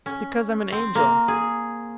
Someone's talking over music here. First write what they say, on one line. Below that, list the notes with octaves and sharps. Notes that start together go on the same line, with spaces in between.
"Because I'm an angel."
C#4
C4
A#3
G#4